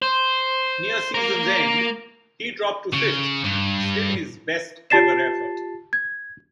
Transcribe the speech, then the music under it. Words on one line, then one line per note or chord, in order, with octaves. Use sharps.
Near season's end, he dropped to fifth, still his best ever effort.
C5
A#3 A#4
C#3
G2
F4 G4 A5 A6 C7 E7
G#6